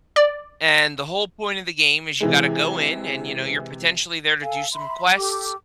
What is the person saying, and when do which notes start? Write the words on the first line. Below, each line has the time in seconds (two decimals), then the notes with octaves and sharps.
And the whole point of the game is you gotta go in and, you know, you're, potentially, there to do some quests,
0.16 D5
2.21 C3 E3 G#3
4.42 A4 F5 G#5
4.74 E5 B5 C6
5.16 G4 A4 D6